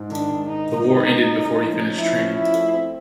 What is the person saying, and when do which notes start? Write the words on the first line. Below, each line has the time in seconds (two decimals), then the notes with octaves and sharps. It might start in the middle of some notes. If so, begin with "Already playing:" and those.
The war ended before he finished training.
Already playing: G#2
0.11 D#3 D4
0.30 G#2
0.49 D#3 D#4
0.67 G#2
0.85 G#2
1.05 G#2
1.24 C#4
1.42 C#4
1.60 F3
1.80 C#4
1.98 F3 E4
2.17 C#4
2.35 F3 E4
2.54 A3
2.73 C4